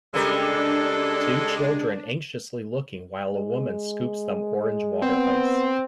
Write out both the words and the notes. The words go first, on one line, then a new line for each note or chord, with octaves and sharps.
Two children anxiously looking while a woman scoops them orange water ice.
C#3 G3 G#3 D4 A4 A#4
G#3
B3 C4